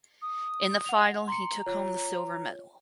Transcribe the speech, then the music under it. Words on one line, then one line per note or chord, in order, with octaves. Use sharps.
In the final he took home the silver medal.
D#6
F#5 F7
A#5 C6 C#7
F4 C#5